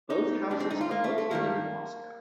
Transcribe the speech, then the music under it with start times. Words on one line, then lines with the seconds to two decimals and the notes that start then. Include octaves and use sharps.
Both houses are located in Moscow.
0.10 D#4
0.50 A2 G3 D4
0.60 C4
0.70 D#4
0.81 F4
0.91 A#3
1.04 A3
1.18 A3
1.31 G2 D#3 G3 A#3